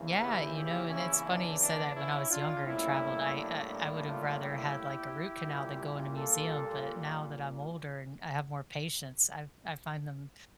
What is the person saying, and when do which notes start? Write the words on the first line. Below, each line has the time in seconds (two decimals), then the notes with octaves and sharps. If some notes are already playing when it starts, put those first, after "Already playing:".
Yeah, you know, and it's funny you said that, when I was younger and traveled, I uh, I would've rather had, like, a root canal than go in a museum, but now that I'm older and I have more patience, I f I find them
Already playing: E2 C#3 E3 A#3
0.19 E4 G4
0.54 E4 G4
0.89 C#4 E4
1.24 D4
1.59 D4
1.94 C#4 E4
2.29 D4 F4
2.64 A2 G3 A#3 C#4 E4
3.35 D4
3.70 D4
4.04 D4 F4
4.39 E4 G4
5.44 A#2 G3 A#3
6.14 F4 A4